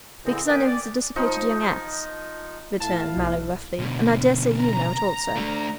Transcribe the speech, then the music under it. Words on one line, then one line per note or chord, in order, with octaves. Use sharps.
"Because I know he's a dissipated young ass," returned Mallow roughly; "and I daresay you know it also."
E2 A#2 D3 C4 D#4 E4
A#3 C#4 B4 D#5 G5 G#5
D5
F3 D#4
A2 E4 F5 A5
B1
B2 D3
A#5
A3 D4